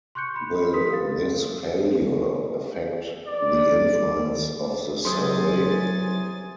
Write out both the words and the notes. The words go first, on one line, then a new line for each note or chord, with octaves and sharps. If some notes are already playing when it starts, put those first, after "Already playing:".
Will this failure affect the influence of the survey?
C6 C#6 F#6 G6 C#7
B5 C6
G4 A#4 B4 C6 D#6 B6
F5 A6
D5
C3 E3 F#3 C5 G#5 C6 D#6 A6